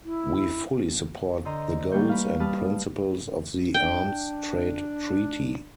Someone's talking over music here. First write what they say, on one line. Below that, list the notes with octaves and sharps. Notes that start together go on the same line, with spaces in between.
We fully support the goals and principles of the arms trade treaty.
E4
D3 C5 D#5 A#5
E3 G3 A#3 C#6 G6
B4 F5
G3 B4 A5 D#6 F6
D4 G5